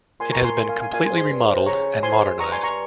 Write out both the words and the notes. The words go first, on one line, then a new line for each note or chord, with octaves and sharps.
It has been completely remodeled and modernized.
A#2 G#5 C6
A#5 C#6
G#5 C6
G#5 C6
F5 G#5
F5 G#5
A#2 F5 G#5
G#5 C6
G#2
G#5 C6
G2
C3
C#3 A#5 C#6
F3 G#5 C6
G#2
G2 A#5 C#6
G#5 C6
A#5 C#6